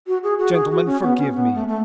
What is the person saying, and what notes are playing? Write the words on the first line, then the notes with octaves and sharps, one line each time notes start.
Gentlemen, forgive me!
F#4
G#4
F#4
G#4
F#4
C#4
B3
C#4
B3
A3
A3